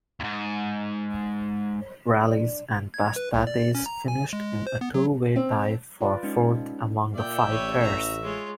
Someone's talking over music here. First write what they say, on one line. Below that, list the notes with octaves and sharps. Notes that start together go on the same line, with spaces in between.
Rallis and Paspatis finished in a two-way tie for fourth among the five pairs.
D#2 G#2
D4
G#6
B4
C2
D5
C#4
A#5
G#5
G#3
C5
B3
F#3
C4
F4 B4 D5
G#3 C#4 D#4
A#2 D5 E5 G5
A1 B4 C#5
F#4 A#5
G#3 F4 C#5